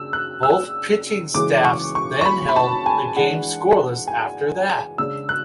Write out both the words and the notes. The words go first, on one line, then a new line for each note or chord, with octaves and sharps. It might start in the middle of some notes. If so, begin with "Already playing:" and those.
Both pitching staffs then held the game scoreless after that.
Already playing: C#3 D4 E6
F#6
E6
C#3 E3 G#3 D6
C#6
C#6
C#6
B5
B5
A5
G#5
E3 G#3 D4 F#5
G#5
C#3 G#3 D4 E6
F#6